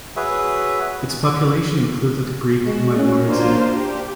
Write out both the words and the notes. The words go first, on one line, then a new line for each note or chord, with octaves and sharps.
Its population included a Greek minority.
F#4 G#4 B4 C#5 E5
G#3 F#4
C#4
A#3 D4 F4 C5
G4